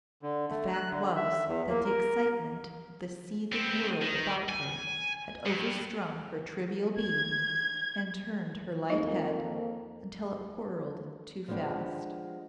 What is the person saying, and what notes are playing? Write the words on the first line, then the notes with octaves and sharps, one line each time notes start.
The fact was that the excitement of the seething world about her had overstrung her trivial being and turned her light head until it whirled too fast.
D3
A3
F#6
D3
E5
E2
A#3
A#4
B3 C4
D#3
G#5
G2
G#6
F2 A#3 D#4 D#5
F3 G#3 B3 D4 G4